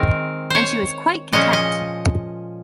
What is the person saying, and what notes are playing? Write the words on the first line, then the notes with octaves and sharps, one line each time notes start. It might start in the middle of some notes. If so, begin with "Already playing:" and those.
And she was quite content.
Already playing: D#3 G#3 C4 A#4
C5 C#5
A#2 F3 G#3 C#4 D#5
D#5